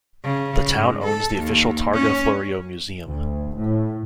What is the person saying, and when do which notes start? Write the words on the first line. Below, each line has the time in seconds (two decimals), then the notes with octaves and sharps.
The town owns the official Targa Florio Museum.
0.25 C#3
0.74 G#2
1.04 A4
1.40 D#2
1.95 C#4
3.07 D2
3.57 A2